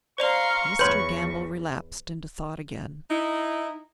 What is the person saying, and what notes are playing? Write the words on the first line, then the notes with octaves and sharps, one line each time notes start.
Mr. Gamble relapsed into thought again.
C5 D5 F5 A#5 C6 C#6 F7
E2 B4 C#5 C6 G6
D#4 E4